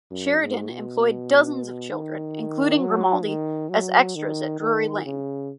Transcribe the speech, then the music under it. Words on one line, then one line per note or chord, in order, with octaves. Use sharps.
Sheridan employed dozens of children, including Grimaldi, as extras at Drury Lane.
F#2
G#2
B2
D#3
F#3
D#3
F#3
D#3
D#3
C#3